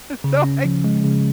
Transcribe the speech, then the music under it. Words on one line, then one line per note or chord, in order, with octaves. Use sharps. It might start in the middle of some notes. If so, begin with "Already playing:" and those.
so I
C#3
C#4
F3
G#3
C#3